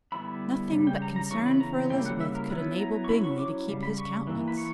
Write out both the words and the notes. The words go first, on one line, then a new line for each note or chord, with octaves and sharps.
Nothing but concern for Elizabeth could enable Bingley to keep his countenance.
D3 G3 B3 E4 B5
C#3 G3
G5
A#5
A#5
C#3 E3 B3 C#6
B5
A#5
C#3 G3 A#3 E4 G5
F#5
E5
A#4
F#3 B3 E4 B4
A#5
C#6
F#3 C#4 E4 B5
C#6
D6
C#3 G3
B5
C#6
E3 A#3 E4
B5
C#6